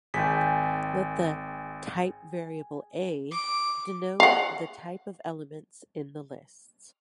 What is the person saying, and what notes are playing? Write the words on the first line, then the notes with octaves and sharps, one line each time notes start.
Let the "type variable a" denote the type of elements in the lists.
G#1 G#4 G5 B6
D6
F5 F#5